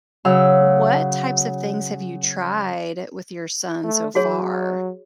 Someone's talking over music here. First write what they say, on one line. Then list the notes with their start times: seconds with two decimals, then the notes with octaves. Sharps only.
What types of things have you tried with your son so far?
0.25 C#3 F#3 F5 E6
3.84 A3
4.15 F#3 F#4 G#4 C#5